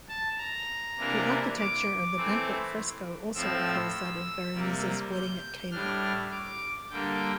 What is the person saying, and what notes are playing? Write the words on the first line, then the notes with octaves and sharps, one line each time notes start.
The architecture of the "Banquet" fresco also recalls that of Veronese's "Wedding at Cana".
A5
A#5
C3 E3 A#3 D4
D6
E3 A3 C4
A2 F3 C4 E6
C3 G3 A#3
G6
A2 G3 D4 F6
D6
D3 G3 A#3 G5